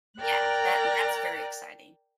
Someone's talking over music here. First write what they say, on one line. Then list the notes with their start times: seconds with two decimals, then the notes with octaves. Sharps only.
Yeah, that that's very exciting.
0.19 A#4 D5 G5 A#5 F#6